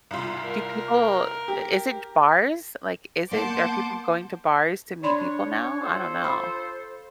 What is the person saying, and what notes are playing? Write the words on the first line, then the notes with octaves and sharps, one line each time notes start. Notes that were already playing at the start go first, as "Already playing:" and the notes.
do people is it bars? Like, is it are people going to bars to meet people now? I don't know.
C2 F4
A#4
G4
A#3 B3 F#5 A5 C6 D6 G6
D4 C#5 D5 B5 C6
F4 A4 C5
B5